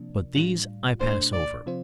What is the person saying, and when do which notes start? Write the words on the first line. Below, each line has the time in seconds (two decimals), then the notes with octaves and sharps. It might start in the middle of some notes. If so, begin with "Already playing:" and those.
But these I pass over.
Already playing: C3 F3 A#3 D4
0.35 A2 G3 D4 F4
1.00 A#2 A3 D4 C5
1.33 D5
1.66 C3 F3 C4 F4 C5